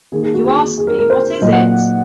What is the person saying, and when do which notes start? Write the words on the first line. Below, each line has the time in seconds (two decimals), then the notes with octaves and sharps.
You ask me what is it?
0.12 D#3 A#3 G#4
0.23 G#4
0.34 F#4
0.44 G#4
0.78 G#4
0.87 A#4
0.99 A#4
1.10 C5
1.41 A#2 F#3 A#3 D#5
1.53 F#5